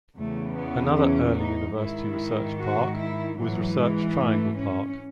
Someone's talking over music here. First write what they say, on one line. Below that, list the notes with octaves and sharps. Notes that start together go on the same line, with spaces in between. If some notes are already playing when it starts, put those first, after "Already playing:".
Another early university research park was Research Triangle Park.
E2 C#3 E3 A3
B3
C#4
D#4
G#2 D#3 E4
F#4
E4
G#2 E3 F#3
G#3
A3
C#4